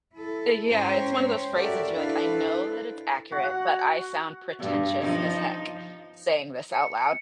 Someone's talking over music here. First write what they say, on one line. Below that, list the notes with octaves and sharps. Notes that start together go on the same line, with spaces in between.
Yeah, it's one of those phrases you're like, "I know that it's accurate, but I sound pretentious as heck, saying this out loud."
E4 A4
G#2 C#4 C5 C#5 G5 A#5
F#4 G4 A4 A#4 D5 E5
D4 E4 A4 B4 C5 F5
F#4 F#5
G2
F3 D#4
C#7